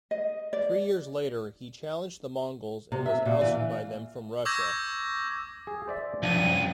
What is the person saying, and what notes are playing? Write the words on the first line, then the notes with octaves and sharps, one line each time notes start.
Three years later, he challenged the Mongols and was ousted by them from Russia.
D#5
D5
C3
E5
A#2
E3
F4
C#6 D6 E6 G6 G#6 A#6
G#4
C5 D5 E5
C2 F#2 F3 D4 D#7